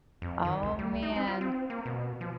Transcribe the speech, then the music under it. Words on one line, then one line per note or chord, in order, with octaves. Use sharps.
oh man.
F2
D#3
C2
G3
D#4
C4
F4
C4
A#3
B2
F3